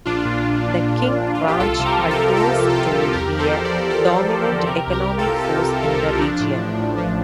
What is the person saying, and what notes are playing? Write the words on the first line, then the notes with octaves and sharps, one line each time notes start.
The King Ranch continues to be a dominant economic force in the region.
A#1 D4 F4
A#2
A#1
A#2
A#2
A#1
A#1
F4
A#1
G4
C2 F4 A4
C3
G4 A#4
F3
F4 A4
F3
C2 F4 A4
C2
A4
C2 G4 A#4
C2
A4
E2 G4 A#4
F3
A4 C5
E2
A#4 D5
E2
E2 A4 C5
F3
F3
D3
C3 G4 A#4
C2
G4 A#4
C2
F4 A4
C2
C3 F4 A4
C3
C2
C3
F3 D4
A2
A1
A1
F3